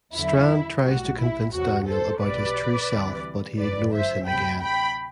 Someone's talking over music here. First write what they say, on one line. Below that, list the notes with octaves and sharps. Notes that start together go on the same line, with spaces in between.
Strand tries to convince Daniel about his true self but he ignores him again.
E2 D3 F#3 E4
B1 A2 G3 F#4
E4
E2 C3 F#3 F#4
A4 C5
B1 B2 G3 B4 D5
D2 C3 E3 G3
G1 F#2 F#3 B4 D5
C5 E5
D2 C3 F#3 G5 B5
G5 B5